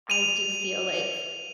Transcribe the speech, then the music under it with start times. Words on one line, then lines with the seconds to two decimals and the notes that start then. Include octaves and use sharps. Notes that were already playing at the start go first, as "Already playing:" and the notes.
I do feel like,
0.10 D#7 F7